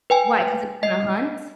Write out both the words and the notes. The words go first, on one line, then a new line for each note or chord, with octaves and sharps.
Why, 'cause it's gonna hunt?
B4 G5 G#5
D#5 C7